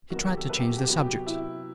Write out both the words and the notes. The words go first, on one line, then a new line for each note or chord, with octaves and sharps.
He tried to change the subject.
D#3 F#3 B3 F#4
G4
A4
B4
G4
F#4
G4
C3 F#3 B3 F#4
G4
E4